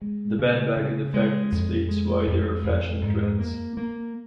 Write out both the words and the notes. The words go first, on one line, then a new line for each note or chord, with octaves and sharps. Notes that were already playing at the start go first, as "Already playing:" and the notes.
The bandwagon effect explains why there are fashion trends.
G#3
C#3
C#3
G#3
F2
G#3
F2
F2
G#2
A#3
A#3